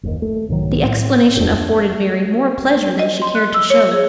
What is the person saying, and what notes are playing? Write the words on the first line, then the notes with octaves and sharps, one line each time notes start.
The explanation afforded Mary more pleasure than she cared to show.
F#1 D#2 D#3
A3
B1 G#2 D#3 F#3
A2
D#1 F2 D4
D#5
C6
F#6
E6
C#5
G#4